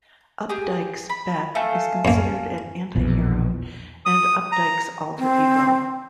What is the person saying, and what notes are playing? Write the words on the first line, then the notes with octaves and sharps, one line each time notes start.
Updike's Bech is considered an antihero, and Updike's alter-ego.
G4 G#4
B5
A3 F5 G#5 A5
F#2 A#3 C#4
A#1 E2 B2
D#6
A#5
C4